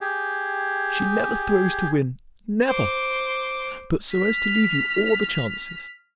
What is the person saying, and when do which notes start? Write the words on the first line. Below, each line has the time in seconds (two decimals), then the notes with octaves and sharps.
She never throws to win--never!--but so as to leave you all the chances.
0.01 G4 G#4
2.66 C5 D6
4.13 F6 B6